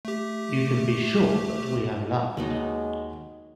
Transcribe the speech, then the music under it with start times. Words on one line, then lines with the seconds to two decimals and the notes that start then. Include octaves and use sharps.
You can be sure that we have loved.
0.05 A3 G4
2.37 D#2 F#3 G#3 B3 D#4